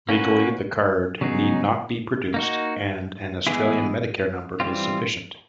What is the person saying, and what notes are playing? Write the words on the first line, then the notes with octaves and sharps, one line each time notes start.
Legally, the card need not be produced and an Australian Medicare number is sufficient.
A#3 C#4 F#4 B4
C#3 F#3 B3 D#4 G#4
A#3 D#4 F#4
E3 G#3 B3 E4 G#4
E3 G3 C4 F4